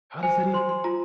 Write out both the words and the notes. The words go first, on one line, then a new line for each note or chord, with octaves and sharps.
How does that
C5 G#5
C5 C6
C6
F4 A#5